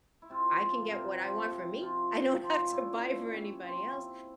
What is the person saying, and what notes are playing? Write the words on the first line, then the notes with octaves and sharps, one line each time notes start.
I can get what I want for me. I don't have to buy for anybody else."
E4
C3 F4
F3
C3 A#4
F3
C3
F3 F4
C3
F3
C#4
A#2 E4
F3
C3 C#4
F3 C4
C3 E4